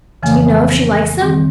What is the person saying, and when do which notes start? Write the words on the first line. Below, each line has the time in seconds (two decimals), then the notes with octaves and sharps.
"Do you know if she likes them?"
0.22 F2 C#3 E3 F3 F5 G#5
1.20 D#3 G3 C4